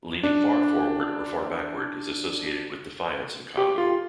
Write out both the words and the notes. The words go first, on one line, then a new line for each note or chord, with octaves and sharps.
Leaning far forward or far backward is associated with defiance in Kongo.
D4
G4
F4